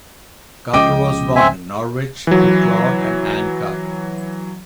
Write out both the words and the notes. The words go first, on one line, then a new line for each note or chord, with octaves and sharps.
Carter was born in Norwich to Claude and Anne Carter.
C#2 C#3 F3 D#5 G5 D6
C4 E5 G#5
E3 F#3